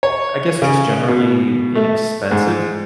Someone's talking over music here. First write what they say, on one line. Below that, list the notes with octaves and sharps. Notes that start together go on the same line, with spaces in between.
I guess, just generally inexpensive
C#5
C#3
B2
A3
G#2